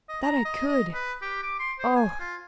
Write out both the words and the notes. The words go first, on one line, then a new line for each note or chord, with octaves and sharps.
That I could!--Oh!
D#5
A#5
D#5
D#5
B4
G4
D6
C6
C5
G#5
F4